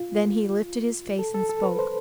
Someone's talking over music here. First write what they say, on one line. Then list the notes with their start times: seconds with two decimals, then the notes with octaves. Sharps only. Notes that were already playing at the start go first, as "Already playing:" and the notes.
Then he lifted his face and spoke.
Already playing: F4
1.19 A4
1.34 A4
1.49 A4
1.63 B4
1.79 C5